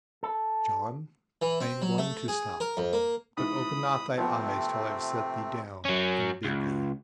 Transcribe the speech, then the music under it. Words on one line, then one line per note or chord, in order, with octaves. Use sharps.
'John, I am going to stop; but open not thy eyes till I have set thee down and bid thee.'
A4
E3
C4
F#3
A3
G#4
A#4
F2
A#3
G#2 E3 B5 D#6
C3 F3 A3 B3 C4
F#3 C#4
C#2